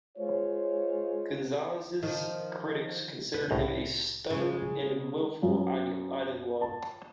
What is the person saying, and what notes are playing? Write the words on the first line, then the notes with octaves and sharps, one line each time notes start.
Gonzalez's critics considered him a stubborn and willful ideologue.
G#3 F4 C5 C#5
D#3 F3
B4
C2 A2 A#5
C#3 G#3
F#2
A5